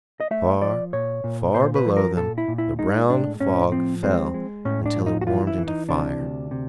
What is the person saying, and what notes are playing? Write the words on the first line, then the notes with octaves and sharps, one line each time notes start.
And far, far below them the brown fog fell until it warmed into fire.
D#5
A3 E5
F3 D5
A#2 C#5
A#2
A#2 C5
B4
F3
A#4
A#2 A4
E4
A#2
E4
G#3 D#4
A2 D4
A2 C#4
F3 C4
G#3 C4
G#3
A2 C#4
D4
F3
D#4
F#4
E3 F4
E4
E3
D#4
C3 D4
D2
C3